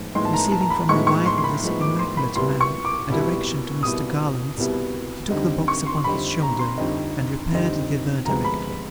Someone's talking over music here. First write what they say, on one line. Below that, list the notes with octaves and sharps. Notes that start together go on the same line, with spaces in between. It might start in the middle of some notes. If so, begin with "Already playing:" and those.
Receiving from the wife of this immaculate man, a direction to Mr Garland's, he took the box upon his shoulder and repaired thither directly.
Already playing: A2 F3 G#3 B3 D#4
A2 F3 G#3 B3 D#4 C6
A5
A#5
A5
A#5
B5
A2 F3 G#3 B3 D#4 C#6
C#6
C6
C6
B5
A2 F3 G#3 B3 D#4
D6
C6
B5
C2 B2 G3 B3 E4 C6
C#6
D6
C2 B2 G3 B3 E4
C2 B2 G3 B3 E4 D#6
C2 B2 G3 B3 E4
F2 D3 G3 C4 D#4
C#6
C6
F2 D3 G3 C4 D#4 B5
A#5
C6
F2 D3 G3 C4 D#4
F2 D3 G3 C4 D#4
D2 C3 F3 G#3 B3 A#5
B5